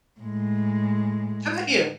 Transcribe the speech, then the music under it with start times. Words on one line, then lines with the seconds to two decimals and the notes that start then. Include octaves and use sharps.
How 'bout you?
0.20 A2 G#3